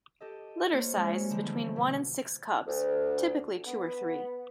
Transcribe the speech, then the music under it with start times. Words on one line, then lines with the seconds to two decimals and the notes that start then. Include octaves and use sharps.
Litter size is between one and six cubs, typically two or three.
0.21 G4 A4 D#5
0.72 A#3 F4 C5 C#5
0.97 G#3 C#4 C#6 F6
1.30 D3 E3 F3 G3 C4
1.76 B2
2.67 D2
3.66 B3